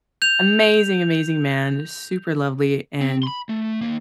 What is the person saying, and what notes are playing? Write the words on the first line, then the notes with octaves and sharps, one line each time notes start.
Amazing, amazing man. Super lovely. And,
G6 F7
C4
B5 C6
A3
D#2 A#3